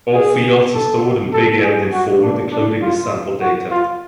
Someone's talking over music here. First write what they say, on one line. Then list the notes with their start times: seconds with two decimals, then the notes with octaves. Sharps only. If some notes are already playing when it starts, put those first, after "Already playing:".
All fields are stored in big-endian format, including the sample data.
0.14 G#4
0.74 A4
1.33 A4
1.63 G#4
1.92 F#4
2.23 D4
2.51 D4
2.82 F4
3.41 F#4
3.71 F4